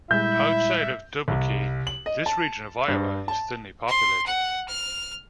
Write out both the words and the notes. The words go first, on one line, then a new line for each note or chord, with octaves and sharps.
Outside of Dubuque, this region of Iowa is thinly populated.
A#2 G3 G#3 E4 E5 G6
C2
F#7
D#5
A5
G2
A5
C6
F#5
F6